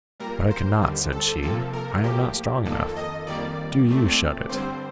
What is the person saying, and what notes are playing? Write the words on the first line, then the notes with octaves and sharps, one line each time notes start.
"But I cannot," said she; "I am not strong enough; do you shut it."
A#2 G3 A#3 A#4
C5
D#2 D3 G3
A4
C3 F3 A#3 A4
A#4
A2 F3 A#3 G4
F2 D#3 A#3 A4
D#5
F2 D#3 G3 A#3 D5
A#2 A3 C4
G2 D3 G3 C4 C5